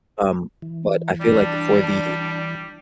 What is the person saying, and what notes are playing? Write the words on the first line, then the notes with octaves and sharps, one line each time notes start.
Um, but I feel, like, for the
E3
G3 D4